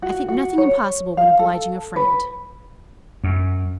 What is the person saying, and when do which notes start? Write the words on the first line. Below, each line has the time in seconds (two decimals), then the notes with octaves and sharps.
"I think nothing impossible when obliging a friend."
0.02 F#4
0.28 F#4
0.58 C#5
1.17 F5
1.39 A4
1.96 B4
3.24 F#2